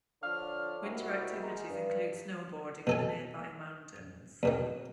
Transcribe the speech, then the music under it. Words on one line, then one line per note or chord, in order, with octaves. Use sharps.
Winter activities include snowboarding in the nearby mountains.
D3 F3 D4 C#5 F6
C2 D#3 E4 F#4
G#3 D#4 A#4
G2
B2 A4 G#5
E2 B2 D#3